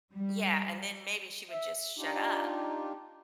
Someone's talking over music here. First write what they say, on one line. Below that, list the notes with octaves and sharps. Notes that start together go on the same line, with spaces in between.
Yeah, and then maybe she would just shut up
G3
E5
D4 D#4 F4 G4